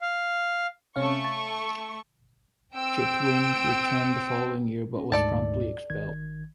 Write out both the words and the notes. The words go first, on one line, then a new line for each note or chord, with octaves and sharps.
Chetwynd returned the following year but was promptly expelled.
F5
C3 A3 C#4 F5 C#6
A5
C4 G5 E6 D7
C#4
D2 G#2 A3 A4 D5 A5
G#1 D#3 G#6